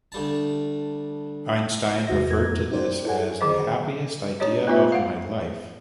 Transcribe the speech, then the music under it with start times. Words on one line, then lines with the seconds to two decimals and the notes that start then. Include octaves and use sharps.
Einstein referred to this as "the happiest idea of my life".
0.12 D2 G3 A5
2.07 E2 C3 F#4 E5 A#6
2.30 F2 A#4 G#6
2.71 C#4 D#4 G4 C5 D5
3.05 E4 G#4 A4 C#5 F#5 G#5
3.41 D3 D#3 F#3 G#4 C5 D#5
4.40 D4 G4 C#5 D#5
4.67 A3 B3 D#4 F4 B4 E5
4.92 F5 F#5